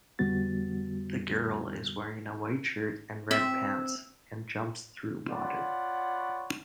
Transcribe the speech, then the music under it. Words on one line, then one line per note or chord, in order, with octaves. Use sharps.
The girl is wearing a white shirt and red pants, and jumps through water.
F2 D3 G3 B3 F#4 A6
C4 E5
F4 C#5 D5 F#5 B5